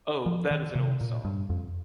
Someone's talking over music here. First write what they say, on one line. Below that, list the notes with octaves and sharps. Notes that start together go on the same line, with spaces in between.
Oh, that is an old song!
F3
D#3
C3
A#2
G2
F2